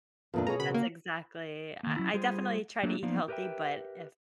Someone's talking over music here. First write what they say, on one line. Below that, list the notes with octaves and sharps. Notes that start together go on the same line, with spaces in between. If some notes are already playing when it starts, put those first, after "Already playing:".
That's exactly I I definitely try to eat healthy, but if
E2 A#2 B3 D4 F4 A4
B2 G#4 C#5 A#5
C#3 F#4 A#4 B5
A#3
D#3 A#3
F#3 C#4 E4
G3 F4 G#4 C5
F#3 A3 A#3 D4
F3 A#3 B3 D#4 D5 F5
G4 A#4 B4 D#5 E5 G5